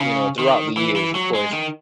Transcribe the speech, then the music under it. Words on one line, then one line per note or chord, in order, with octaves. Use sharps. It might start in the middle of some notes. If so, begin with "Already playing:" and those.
you know, throughout the years, of course,
C#3
D#3
E3
E3
F#3
G#3
D#3